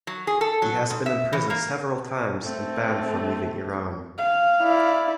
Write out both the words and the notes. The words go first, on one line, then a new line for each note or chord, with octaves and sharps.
He has been imprisoned several times and banned from leaving Iran.
F#3
G#4
A4
F#3
G#2
E5
E3
A#3
A3 C4
F5
E4 D5